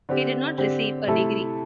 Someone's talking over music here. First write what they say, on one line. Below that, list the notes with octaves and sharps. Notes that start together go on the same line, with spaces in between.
He did not receive a degree.
D3 C4 G4
D3 C4 G4
C3 A3 E4 A4